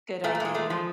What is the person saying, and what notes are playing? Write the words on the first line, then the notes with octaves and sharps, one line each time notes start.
Good idea.
A#2 A3
A3
A#2 G#3
G#3 A3
F3 G#3